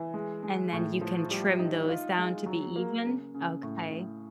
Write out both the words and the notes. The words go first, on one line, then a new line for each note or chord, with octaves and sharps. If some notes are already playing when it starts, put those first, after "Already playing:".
And then you can trim those down to be even? Okay.
Already playing: E3
G#3
G#3
A2
F3
G3
D#4
F4
G#3
F#3
A#3
C#3
C#3
A2
A2